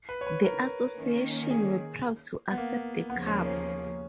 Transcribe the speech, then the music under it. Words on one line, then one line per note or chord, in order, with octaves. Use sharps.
The Association were proud to accept the Cup.
B4
C#5
B4
A#4
D#3 A#3 C#4
G#4
B3
A#3
D#2 C#3 F3 A#3 B3
C#4
C#4